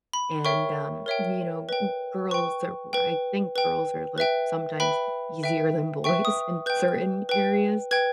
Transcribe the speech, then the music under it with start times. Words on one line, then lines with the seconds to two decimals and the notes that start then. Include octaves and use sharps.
and um, you know, girls are I think girls are, like, sometimes easier than boys in certain areas.
0.13 B5
0.44 A#4 C#5 E5 G5 C#6
1.06 A#4 C#5 E5 G5
1.69 B4 G5
2.31 B4 G5 C#6
2.93 B4 G5
3.56 B4 G5
4.18 B4 E5 G5
4.80 B4 E5 G5 B5
5.43 B4 E5 G5
6.04 B4 E5 G5 C#6
6.25 D#6
6.66 B4 G5 G6
7.29 B4 G5
7.91 B4 G5 G#6